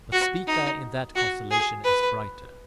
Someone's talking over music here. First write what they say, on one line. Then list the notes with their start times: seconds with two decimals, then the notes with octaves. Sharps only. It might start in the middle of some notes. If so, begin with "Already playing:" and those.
But Spica in that constellation is brighter.
0.12 F#4
0.47 D#4
1.16 F#4
1.51 G#4
1.84 B4